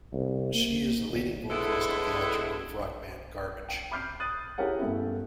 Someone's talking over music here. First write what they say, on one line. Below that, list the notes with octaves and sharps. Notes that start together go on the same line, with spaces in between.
She is the lead vocalist of the alternative rock band Garbage.
C2
A#3
D#1
A2 D3 G#3 B3 E4 A4
G5
B5 D6 F6 G6 C7
D#6 F#6 A6 D#7
E4 G4 G#4 A#4 C#5 F#5
G2 A3 B3 C#4 E4